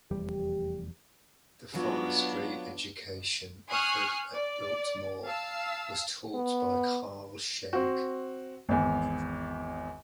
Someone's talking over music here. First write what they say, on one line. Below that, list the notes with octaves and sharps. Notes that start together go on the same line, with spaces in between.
The Forestry Education offered at Biltmore was taught by Carl Schenk.
F1 E2 G3 G4
F#3 B3 D4 F4 F#4
G#5 C#6 D#6 F6 F#6 C7
D5
F5 A5 E6
B3
C4 F#4
G#1 E2